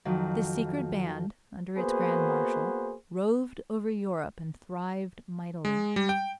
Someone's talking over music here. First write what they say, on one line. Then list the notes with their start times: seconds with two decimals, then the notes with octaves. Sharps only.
This secret band, under its Grand Marshal, roved over Europe and thrived mightily.
0.05 F2 D#3 F#3
1.78 A#3 B3 F#4 G#4 B4 C5
5.65 G#3
5.96 G3
6.09 G5